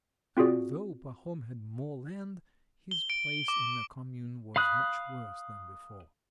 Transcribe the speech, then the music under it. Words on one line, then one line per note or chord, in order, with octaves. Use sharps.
So though Pahom had more land, his place in the Commune was much worse than before.
C4 F4 F#4 G#4 D5
G7
D7
D6
F5 B5 D#6 F#6